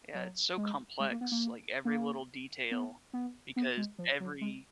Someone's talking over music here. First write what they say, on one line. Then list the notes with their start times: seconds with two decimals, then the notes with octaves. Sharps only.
Yeah, it's so complex, like, every little detail, because every
0.15 F#3
0.58 G#3
1.00 G#3
1.11 A#3
1.21 B3
1.32 A#3
1.85 A#3
2.71 B3
3.13 B3
3.56 B3
3.77 G#3
3.99 F3
4.20 F#3
4.41 G#3